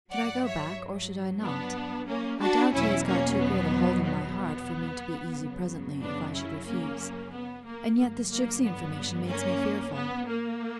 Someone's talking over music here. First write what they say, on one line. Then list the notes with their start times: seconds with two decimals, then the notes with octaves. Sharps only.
Should I go back, or should I not?--I doubt he has got too great hold in my heart, for me to be easy presently, if I should refuse: And yet this gipsy information makes me fearful.
0.11 G2 F#3 D5 F#5
0.44 C#5 E5
1.42 B3 D4
2.08 A#3 C#4
2.40 D4 F#4
2.73 E2 B2 F#3 C#4 E4
3.06 A#3 C#4
3.39 B3
4.04 B3
5.35 F#2 C#3 F#3
6.01 B3 D4
6.33 C#4 E4
6.66 A#3 C#4
7.31 B3
7.64 A#3
7.97 G2 D3 F#3 A#3
8.30 A#3
8.63 B3
9.28 A#3 C#4
9.94 B3
10.27 A#3